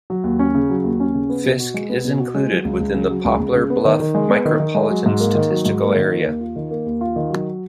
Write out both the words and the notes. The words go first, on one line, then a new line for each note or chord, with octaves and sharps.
Fisk is included within the Poplar Bluff Micropolitan Statistical Area.
F#3
D#2
C#4
C#3
F#3
D#2
C#4
C#3
B3
B2
F#4
G#3
B3
B2
F#4
G#3
F#3
C#2
C#2
C#3
F#3
C#2
C#2
C#3
B3
D#3
D#3
G#3
B3
D#3
D#3
G#3
F#3
G#2
A#3
D#3
F#3
G#2
A#3
D#3
A#3
D#2
F4
D#3
A#3
D#2
F4
D#3
F#3